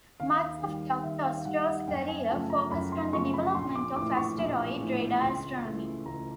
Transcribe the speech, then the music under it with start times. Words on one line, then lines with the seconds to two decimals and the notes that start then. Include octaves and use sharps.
Much of Doctor Ostro's career focused on the development of asteroid radar astronomy.
0.20 D#2 F5
0.62 D#3 G3
1.04 D#2 E5
1.25 F5
1.45 D#3 G3 F#5
1.66 F#5
1.87 F#2 G5
2.08 G#5
2.29 C#3 F3 A3 A5
2.50 A#5
2.71 F#2 B5
2.92 C6
3.13 C#3 F3 A3 C#6
3.34 B5
3.54 A#1 C6
3.76 D6
3.96 A2 E3 D6
4.17 C#6
4.38 A#1
4.80 A2 E3
5.21 C#2 C6
5.64 C#3 E3 A3
6.06 C#2 A#5